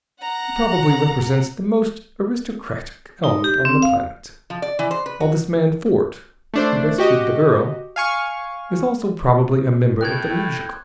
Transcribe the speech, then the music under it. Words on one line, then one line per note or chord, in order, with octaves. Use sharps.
He probably represents the most aristocratic element on the planet; while this man Fort, who rescued the girl, is also probably a member of the leisure class.
F#5 A#5
D#4
G4
C4
F5
F3
D5
E3
C5
B4
F#4
A3 D4 C5
F#4 G4 D#5
F5 G#5 C#6
A2 G5 F#6 G#6